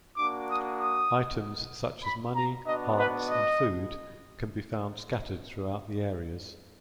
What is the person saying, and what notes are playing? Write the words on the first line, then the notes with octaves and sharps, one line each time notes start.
Items such as money, hearts, and food can be found scattered throughout the areas.
A#3 D4 F#4 D6
D#6
D#6
B5
A#5
B3 D4 F#4 D#5
B4
D#5